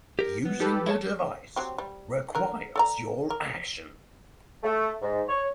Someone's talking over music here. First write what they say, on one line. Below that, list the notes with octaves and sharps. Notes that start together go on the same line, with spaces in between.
Using the device requires your action.
G4 A#4
B3
D#4 G4 A4 B4
E4 C#5 A5
F#3 C4 G4
G3
D3 A#4
A4 D5 A#5
A#4
A3
G#2
C#5